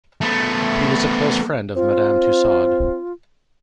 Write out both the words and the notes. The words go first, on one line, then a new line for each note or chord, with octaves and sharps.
He was a close friend of Madame Tussaud.
A3 B3
C4 F4